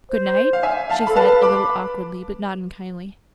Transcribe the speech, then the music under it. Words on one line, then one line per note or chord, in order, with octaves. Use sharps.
"Good night," she said, a little awkwardly, but not unkindly.
C5
F5
E5 G#5
F5 A5
A4 B5
B4 F5 A5
B5 D6